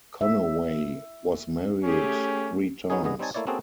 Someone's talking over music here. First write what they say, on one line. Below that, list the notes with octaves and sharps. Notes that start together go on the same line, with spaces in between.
Conaway was married three times.
E5
A3 C#4 G4 G#4
F#3 B3 C#4 D#4 G#4
E2 G2 B3 G#4 D#5
G3 C4 D#4 C#5 G#5 A5
A3 A#3 E4 C#5 D5
A#3 C4 C#4 F#4 G#4 A4